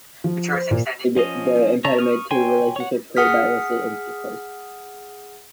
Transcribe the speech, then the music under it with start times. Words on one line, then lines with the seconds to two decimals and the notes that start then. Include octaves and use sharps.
The church extended the impediment to relationships created by illicit intercourse.
0.24 F3
0.54 C5
0.71 A#2
1.17 F3 C#4 D#5
1.85 C#5 E5 A5 A#5
1.98 C#6 D#6 F6
2.31 C#5 G5 G#5 C6
2.76 C#5 F#5
3.17 G#4 F#5 D#6 F6 B6